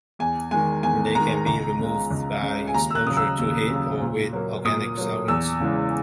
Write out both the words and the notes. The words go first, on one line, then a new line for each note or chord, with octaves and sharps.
They can be removed by exposure to heat or with organic solvents.
E2 G#5
D#3 G#3 G#5
E2 G#5
D#3 G#3 A#5
C#2 A#5
C#3 G#3
C#2
C#3 G#3
G#5
D#2 A#5
E6
F#6
C#3 F#3 D#6
E6
D#2
C#3 F#3
A#2
F#3 A#3
A#2 D#6
F#3 A#3
E2 E6
C#3 E3 G#3